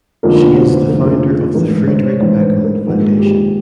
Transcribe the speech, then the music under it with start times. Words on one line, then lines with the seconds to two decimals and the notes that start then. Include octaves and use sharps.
She is the founder of Friedrich Beckmann Foundation.
0.23 F1 F2 D3 F3 A#3 A#4
0.39 B4
0.57 C5
0.73 B4
0.89 F1 F2 D3 F3 A#3 A#4
1.05 G#4
1.22 G#4
1.55 A1 G#2 E3 G#3 B3 A#4
1.71 B4
1.88 C5
2.05 C#5
2.21 A1 G#2 E3 G#3 B3 C5
2.42 B4
2.64 A#4
2.87 A#1 G#2 D#3 G#3 B3
3.19 G4